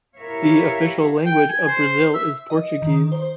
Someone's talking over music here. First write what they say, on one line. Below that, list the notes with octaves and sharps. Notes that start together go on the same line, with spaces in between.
The official language of Brazil is Portuguese.
E4 G4 A#4 C#5 E5 F5
G5
G#5
C5
E5
D#5
D#3
C5